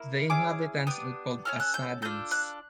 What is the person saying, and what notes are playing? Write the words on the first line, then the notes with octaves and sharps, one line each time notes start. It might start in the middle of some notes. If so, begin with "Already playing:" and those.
The inhabitants are called "Assadins".
Already playing: A#3 E4
C#4 E4 G#4 D6
B3 D4 G4 D#6
C#4 F#4 A4 F6
F#6
G6
D4 F4 A4 G6
F#6